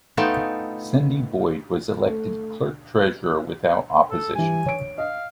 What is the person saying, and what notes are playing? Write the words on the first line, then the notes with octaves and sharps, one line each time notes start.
Cindee Boyd was elected clerk-treasurer without opposition.
A3 B3 D#4 F4 G5 A5
A3
A4
E3 G3 G#5
C#5 D7
D#5 F5